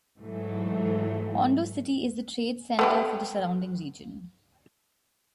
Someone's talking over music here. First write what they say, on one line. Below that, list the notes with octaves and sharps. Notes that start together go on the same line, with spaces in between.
Ondo City is the trade center for the surrounding region.
G#2 E3 F#3 A3
A3 B3 G4